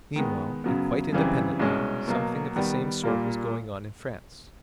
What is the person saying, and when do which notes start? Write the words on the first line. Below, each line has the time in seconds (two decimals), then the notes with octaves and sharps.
Meanwhile, and quite independently, something of the same sort was going on in France.
0.16 D#3 G#3 B3
0.64 F#2 C#3 F#3 B3
1.12 F#2 C#3 E3 G3 C4
1.59 C2 B2 G#3 C#4
2.08 B2 F#3 A#3
2.56 D#3 G3 B3
3.03 A#2 G3 A#3